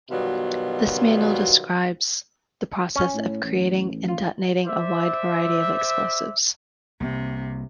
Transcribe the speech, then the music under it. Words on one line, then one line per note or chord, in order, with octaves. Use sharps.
This manual describes the process of creating and detonating a wide variety of explosives.
B2 D#3 F#3 G3 B3 F4
C#4
A2
A1
F4
C5 D5 E5
C2 C3 A#3